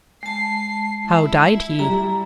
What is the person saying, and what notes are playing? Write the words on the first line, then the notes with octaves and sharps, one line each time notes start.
"How died he?"
G#3 A5 C7
E4
G3 A#5